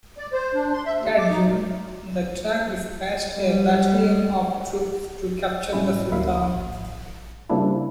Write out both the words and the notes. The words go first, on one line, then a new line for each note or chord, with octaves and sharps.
That June, the Derg dispatched a battalion of troops to capture the sultan.
D5
C5
D4
C6
E5
D#2
D6
D#4
A#2
G3
A2 G3 C#4 E4
D2 A#3 E4 E5 F5
A1
C#3 F3 G3 A#3 D4 E4